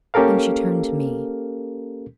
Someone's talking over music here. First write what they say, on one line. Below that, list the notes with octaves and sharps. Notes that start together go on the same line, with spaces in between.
Then she turned to me.
A#3 C#4 G4 A4 A#4 F5